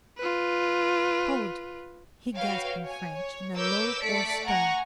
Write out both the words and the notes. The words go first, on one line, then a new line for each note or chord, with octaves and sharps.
"Hold!" he gasped in French, in a low, hoarse tone.
F4 B4
F#4 B4 C#5 F5 G5
C#5 G#5
C#5
A#4 B4 C#5 D6 E6 G6
A3 A4 D5 B6 C#7 D7
F#5 G#5 A#5 C#6